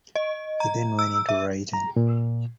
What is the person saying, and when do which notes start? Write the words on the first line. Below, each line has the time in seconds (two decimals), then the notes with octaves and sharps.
He then went into writing.
0.16 D#5
0.60 A#5
0.99 E6
1.29 E5
1.73 A#5
1.96 A#2